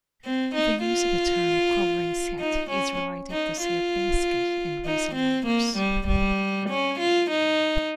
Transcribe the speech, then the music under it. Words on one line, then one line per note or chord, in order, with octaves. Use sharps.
The use of the term "covering set" is related to Sierpinski and Riesel numbers.
C4
D#4
F4
D#4
C#4
D#4
F4
D#4
C4
A#3
G3
G3
C#4
F4
D#4